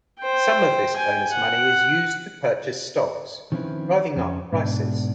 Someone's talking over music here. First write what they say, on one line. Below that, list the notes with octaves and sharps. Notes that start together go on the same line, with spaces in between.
Some of this bonus money is used to purchase stocks, driving up prices.
C5 G5
G5 G#5
F#5
D#3 F3 C4 C#4 E4 B4
F2 C#4
G#2 B2 D4